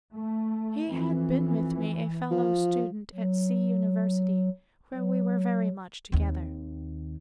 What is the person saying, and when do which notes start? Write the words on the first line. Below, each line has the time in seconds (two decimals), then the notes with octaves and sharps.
He had been with me a fellow-student at C-- University, where we were very much together.
0.12 A3
0.91 F2 E3
2.31 F3
3.15 F#3
4.95 F#3
6.12 D#2 C4